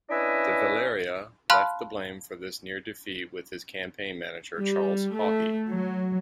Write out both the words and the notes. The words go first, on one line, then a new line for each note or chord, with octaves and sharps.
De Valera left the blame for this near-defeat with his campaign manager Charles Haughey.
C#4 D4 E4 B4 D#5 E5
F5 A5 B5 C6 F6 F#6
G3
A3
F#3